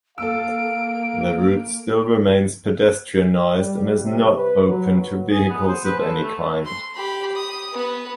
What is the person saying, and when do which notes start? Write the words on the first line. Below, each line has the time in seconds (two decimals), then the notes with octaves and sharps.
The route still remains pedestrianized and is not open to vehicles of any kind.
0.18 A#3 A4 F5 E6 D7
3.56 G3
4.01 C3
4.35 B4
4.67 F#3
5.32 G#4
5.50 B3
5.68 C5
5.85 B4
6.00 A4
6.23 A3
6.66 C6
6.95 G4 B5
7.35 D#6
7.73 B3 B4